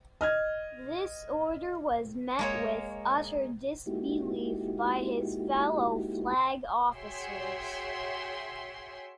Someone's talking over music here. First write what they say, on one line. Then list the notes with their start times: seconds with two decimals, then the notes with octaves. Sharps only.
This order was met with utter disbelief by his fellow flag officers.
0.21 D#5 F6 G#6
2.39 G#3 A#3 C#5
3.86 G#3 A#3 D#4 E4 F#4 G4
6.92 F#4 G#4 C#5 E5 G5 C6